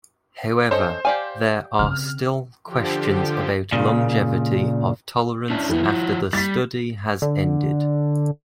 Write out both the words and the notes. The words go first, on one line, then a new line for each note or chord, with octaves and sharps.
However, there are still questions about longevity of tolerance after the study has ended.
C#4 A4 C5 D#5
G4 D5 F5 G#5
C#3 C4 F6
D3 F3 G4
A#2 C#3
C#4 D4 E4
F2 B3 E4
F3 F#4
G3 A6 B6
D3